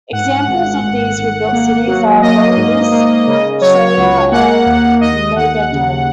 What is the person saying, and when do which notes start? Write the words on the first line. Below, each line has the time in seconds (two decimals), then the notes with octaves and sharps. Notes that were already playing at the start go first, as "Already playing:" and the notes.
Examples of these rebuilt cities are Volubilis, Chellah and Mogador.
0.12 G#2 F#5
0.48 G#1
0.83 G#1
1.17 G#1
1.52 A#3
1.87 F#3
2.22 A#3 D#5
2.56 G#2
2.91 A#3
3.27 C#3
3.62 F#3 C#5
3.97 C#2
4.32 A#3 F#5
4.66 D#2
5.01 D#2 D#5
5.36 D#2 F#5
5.71 C#3